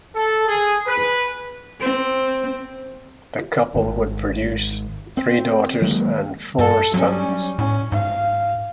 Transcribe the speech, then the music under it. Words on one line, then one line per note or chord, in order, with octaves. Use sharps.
The couple would produce three daughters and four sons.
A4
G#4
B4
C4
G#1
C4
D#3 F#3 G#3 A#3
G2 A4
F#3 G3 C#4
A2 C#4
G#2 F5